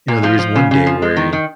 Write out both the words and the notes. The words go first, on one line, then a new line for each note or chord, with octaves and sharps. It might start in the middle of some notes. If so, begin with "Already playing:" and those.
you know, there was one day where he
A#2
F3 F4
F3
C#3
C#3
F3
G#3
D#3
D#3